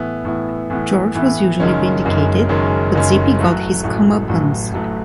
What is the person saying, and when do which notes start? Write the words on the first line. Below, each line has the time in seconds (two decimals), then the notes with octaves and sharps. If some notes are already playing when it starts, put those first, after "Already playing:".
George was usually vindicated, but Zippy got his comeuppance.
Already playing: A2 E3 B3 E4
0.25 A2 E3 B3 E4
0.70 A2 E3 B3 E4
1.15 A2 E3 B3 E4
1.60 F#1 F#2 D#3 G#3 C#4
2.05 F#1 F#2 D#3 G#3 C#4
2.49 F#1 F#2 D#3 G#3 C#4
2.95 F#1 F#2 D#3 G#3 C#4
3.39 A1 A2 F#3 A3
3.83 A1 A2 F#3 A3
4.29 A1 A2 F#3 A3
4.73 A1 A2 F#3 A3